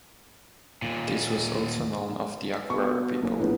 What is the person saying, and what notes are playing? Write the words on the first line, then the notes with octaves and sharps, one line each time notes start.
This was also known of the Acuera people.
D#2 A#2
B2 C#6
F#1 A#3 C#4
A#1 A2 B3